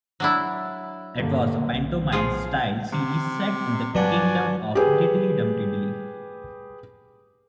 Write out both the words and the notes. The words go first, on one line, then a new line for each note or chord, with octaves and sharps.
It was a pantomime-style series set in the kingdom of Diddley-Dum-Diddley.
F#3 D4 E4
G2 D3 A#3
B1
F3 F4 G#4
C3
G2 F#3 D4 F#4 D5 F#5 G#5
G4 G#4 B4